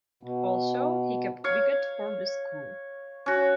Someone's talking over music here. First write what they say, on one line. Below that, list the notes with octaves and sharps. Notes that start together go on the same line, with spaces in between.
Also he kept wicket for the school.
B2
C#5 F5
C#4 F#4